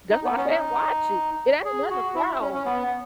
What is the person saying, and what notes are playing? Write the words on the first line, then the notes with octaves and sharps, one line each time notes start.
That's why I said watch it, it ain't nothing to cry over.
D#4
B3
C#4
D#4
G#4
F#4
E4
C#4
C#4
B3